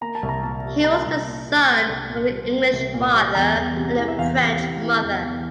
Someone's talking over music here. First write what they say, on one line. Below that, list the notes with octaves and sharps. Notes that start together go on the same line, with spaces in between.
He was the son of an English father and a French mother.
A#3 A#5
A5
C2
A#5
A#2 A5
G3
A#3 A#5
A5
C2 A#5
A#2
G3
A#3 C6
C2
A#2
G3
A#3
C2
A#2
G3
E2 A#5
E2
C3
E3
E5
E2 F5
E2
C3
E3
E2
E2